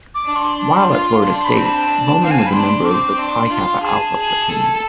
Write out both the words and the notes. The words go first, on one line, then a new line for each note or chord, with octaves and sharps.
While at Florida State, Bowman was a member of the Pi Kappa Alpha fraternity.
D6
D4
C6
D4
F4
D4 C6
C6
B5
C4
A5
D4
C4 F5
G#5
A5
B5
D4 C6
C4 D6
D4 C6
F4
G#4 A5
G#4
A4